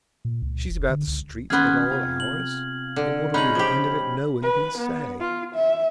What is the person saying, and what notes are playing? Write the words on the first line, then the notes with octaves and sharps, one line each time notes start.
She's about the streets at all hours, and what'll be the end of it no one can say.
A#2
C#2
F1
D3
C#2
D#2 B3 C#4 G#4 C6 F6 G#6
C3 F4
F#7
D3
G#3 C#4 D#4 B5 F#7
F3 G4
B4
B3
F4
E5